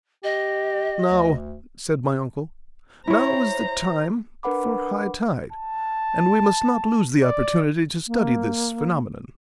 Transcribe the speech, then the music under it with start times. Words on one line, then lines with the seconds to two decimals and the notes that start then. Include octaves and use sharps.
"Now," said my uncle, "now is the time for high tide, and we must not lose the opportunity to study this phenomenon."
0.24 G4 D#5
1.09 D2
3.07 E4 C5 C#5 A#5
4.43 D4 A#4 B4 F#5 B5 D6
5.52 A5
7.23 D5
8.07 A#3